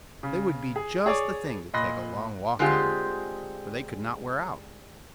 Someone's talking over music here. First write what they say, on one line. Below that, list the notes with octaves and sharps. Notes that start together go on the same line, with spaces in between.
"They would be just the thing to take a long walk in, for they could not wear out."
C#3
G#4
G#4 C#5 D5 C#6 D6
A#2 D#5 B5 C6 F#6 A#6
D3 G#3 C4 F4 G4 G#4